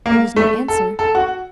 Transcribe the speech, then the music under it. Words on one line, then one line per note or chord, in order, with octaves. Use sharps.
There was no answer.
A#3
A3
A4
A4
F#4